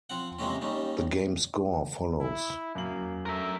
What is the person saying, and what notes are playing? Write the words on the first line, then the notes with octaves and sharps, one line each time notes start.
The game score follows.
F3 C4 F#5
C3 E3 G#3 A#3 C4 C#4
D#2 D#3 G3 C#4
E4
F#2 A#3 F#7
A3 A#4 E5